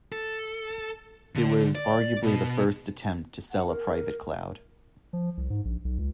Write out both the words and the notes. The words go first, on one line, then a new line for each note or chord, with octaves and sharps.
It was arguably the first attempt to sell a private cloud.
A4
D3
D5
B2
F#5
A#4
F3
C2
G#2
A#1
B1
C#2